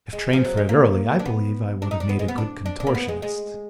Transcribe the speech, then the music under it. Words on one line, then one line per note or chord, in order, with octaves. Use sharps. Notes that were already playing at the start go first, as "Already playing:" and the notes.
If trained for it early, I believe I would have made a good contortionist.
G#3
F3
F#3
G#3
A#3
D4
B3
D4
D#4
D4
B3
G#3
B3
D4
D4
D4
A#3
B3
G#3
G#3